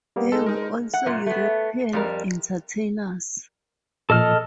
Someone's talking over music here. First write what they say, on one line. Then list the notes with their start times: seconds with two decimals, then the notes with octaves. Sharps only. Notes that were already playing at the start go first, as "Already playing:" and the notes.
There were also European entertainers.
0.16 G3 A#3 B3
0.32 G#3 D#4 A4
0.46 D#4 A#4
0.94 F#5
1.06 F#2 A#2
1.26 A3 B3
1.93 F2 G3 A#4
4.10 A#2 F3 A4 D#5 F6